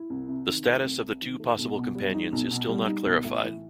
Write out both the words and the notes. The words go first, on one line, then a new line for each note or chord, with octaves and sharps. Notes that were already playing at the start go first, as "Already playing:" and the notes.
The status of the two possible companions is still not clarified.
Already playing: E4
C2
C3
D#3
A3
C2
C3
D#3
A3
B1
B2
G3
D#4
B1
B2
G3
D#4
B1
A2
E3